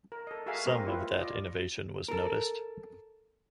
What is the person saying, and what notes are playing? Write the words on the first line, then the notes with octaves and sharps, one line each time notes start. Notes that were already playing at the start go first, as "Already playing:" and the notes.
Some of that innovation was noticed.
A#4
A4 D#5
F#4 G#4 A#4 E5 F5 G#5
G#3 A#3 C4 A#4 D#5
E4 F4 B4
F4 D5 D#5
A4 A#4